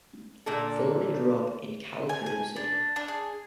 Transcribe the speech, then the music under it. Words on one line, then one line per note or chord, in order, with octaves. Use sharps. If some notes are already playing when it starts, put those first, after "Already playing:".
Filemon grew up in Caloocan City.
A#2 D3 A#3 A4
G#5
G#5
D4
D4
G#4